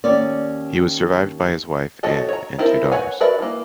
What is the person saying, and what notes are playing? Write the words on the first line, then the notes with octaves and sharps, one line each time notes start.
He was survived by his wife, Anne, and two daughters.
D#2 C#4 D5
F4 F#4 A4 C#5 D#5
C#5 A#5
C4 E4 A4 A#4
B4 C#5 F#5 G#5
F#4 A#4 B4 D5 E5
E3 A#3